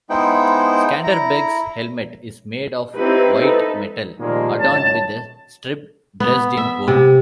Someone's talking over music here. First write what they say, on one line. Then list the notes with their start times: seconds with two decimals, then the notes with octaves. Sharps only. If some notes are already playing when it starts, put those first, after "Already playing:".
Skanderbeg's helmet is made of white metal, adorned with a strip dressed in gold.
0.10 G#3 B3 D#4 E4 C5 G5
1.04 E4 A#5
2.96 C4 D#4 E4 G4 B4
3.39 D#4 A4 B4
4.19 A#2 D#3 F3 G3 G#3 A#3
4.59 G#1 C#2 F#2 C#5 A5
6.20 B3
6.57 E5
6.88 C3